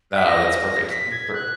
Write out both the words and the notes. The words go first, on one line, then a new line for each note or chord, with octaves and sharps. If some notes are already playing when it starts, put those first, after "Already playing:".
No, that's perfect, that's perfect
B6
A#6
B6
G#6
F#6